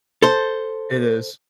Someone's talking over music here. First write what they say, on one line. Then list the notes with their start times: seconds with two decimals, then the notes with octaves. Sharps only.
It is.
0.22 A4 C5